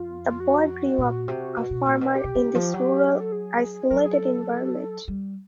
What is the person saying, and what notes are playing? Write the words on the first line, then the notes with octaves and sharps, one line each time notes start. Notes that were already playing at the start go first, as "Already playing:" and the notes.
The boy grew up a farmer in this rural, isolated environment.
Already playing: F2 F4
F4
F#4
A#2
C3
B2
B2
A#2
B2
G4
C3
C#3
F3
F#3
A4
G#4
F#3 A#4
A4
G#4
A4
G3